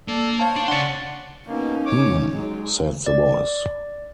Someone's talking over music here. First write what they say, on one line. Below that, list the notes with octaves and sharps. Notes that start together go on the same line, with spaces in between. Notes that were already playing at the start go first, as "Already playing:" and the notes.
"H'm," said the Voice.
A#3 D4 A4
C5 C#5 F5 A5
D4
C#3 C#4 D4 F#5 C6 A6
B2 A#3 C#4 D#4
C#5 D6
F#3 G#3 D#4
D5